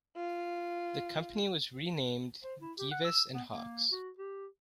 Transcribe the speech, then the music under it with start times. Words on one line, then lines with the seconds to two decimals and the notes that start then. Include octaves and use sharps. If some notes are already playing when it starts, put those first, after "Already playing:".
The company was renamed Gieves and Hawkes.
0.17 F4
2.43 C5
2.61 E4
2.79 G4
2.91 F#5
3.04 E6
3.34 B3
3.48 A#3
3.92 F#4
4.18 G4